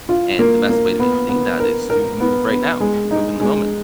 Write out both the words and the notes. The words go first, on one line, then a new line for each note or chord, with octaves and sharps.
and the best way to maintain that is to move right now, move in the moment.
F4
A#3
A#3
B3
B3
A#4
A#4
B3
B3
G#3
D#4
G#3